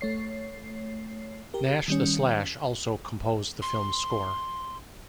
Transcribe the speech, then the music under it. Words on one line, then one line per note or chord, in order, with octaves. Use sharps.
Nash the Slash also composed the film's score.
A3 C#5 C7
G4 A#4
D#3 G3 C#4
C6